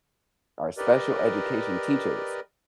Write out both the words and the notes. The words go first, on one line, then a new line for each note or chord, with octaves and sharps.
are special education teachers.
G4 A#4 B4 D5 D#5